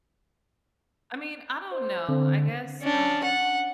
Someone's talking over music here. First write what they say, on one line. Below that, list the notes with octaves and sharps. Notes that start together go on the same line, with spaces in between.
I mean, I don't know, I guess, um,
C5
D3 C4
C#4 D4
F#5